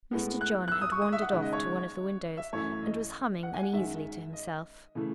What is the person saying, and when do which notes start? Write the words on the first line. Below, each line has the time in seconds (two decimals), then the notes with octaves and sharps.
Mr. John had wandered off to one of the windows and was humming uneasily to himself.
0.11 A2 G#3 B3
0.41 F#6
0.68 F#6
0.72 E6
0.81 D#6
0.92 C#6
1.02 D#6
1.12 E5
1.22 F#5
1.33 D#2 C#3 G#3
1.42 D#5
1.53 C#5
2.37 E5
2.52 F#2 E3 A3 C#4 C#5
2.83 D#5
3.43 F#5
3.54 G#5
3.63 F#5
3.73 F#2 D#3 G#3 E5
4.33 D#5
4.95 C#3 E3 A3